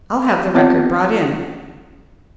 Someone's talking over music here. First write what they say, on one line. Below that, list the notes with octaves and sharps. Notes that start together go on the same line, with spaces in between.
"I'll have the record brought in."
B3 C4 F4 C#5 F#5